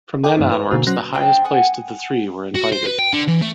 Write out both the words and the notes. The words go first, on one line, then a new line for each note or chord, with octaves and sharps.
From then onwards, the highest placed of the three were invited.
A4 D#5 F#5 G5 D6
G2 E3 A3 C4 D#4
B4
B2 D3 A#3 F#4 C5
F#3 C#4 F#4 C5 F#6 A#6
C4 D4 D#5 G5
F#5 G#5 D#6
F#4
C5
B4
G5
D3
E3
A3